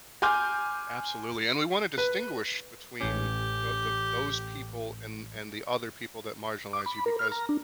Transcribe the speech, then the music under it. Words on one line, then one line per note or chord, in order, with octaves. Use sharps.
Absolutely, and we want to distinguish between the the those people and and the other people that marginalize you because
G#5 C6 D6 F6 G6
B4
A1 C#4 G4
D6
B5
A#4
F6
A#5
D4